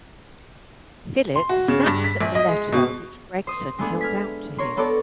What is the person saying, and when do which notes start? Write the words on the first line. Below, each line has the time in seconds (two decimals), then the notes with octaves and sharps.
Philip snatched at the letter which Gregson held out to him.
1.36 C6
1.49 F#4
1.68 C#3
1.86 G2
2.04 B6
2.21 A#1
2.35 D#5
2.49 G#3
2.72 B2
3.47 C5 D#6
3.78 G#3 A3 B3 D4 G#4
4.01 F6 G#6 B6
4.58 A#4 C#5 C6
4.77 B3 A4 A#4 C#5 D5